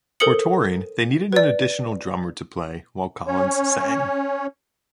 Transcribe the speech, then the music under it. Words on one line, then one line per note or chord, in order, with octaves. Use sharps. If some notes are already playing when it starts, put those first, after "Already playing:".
For touring, they needed an additional drummer to play while Collins sang.
A4 A#4 C5 D#6 C#7 F#7
B4 D5
C#4 C#5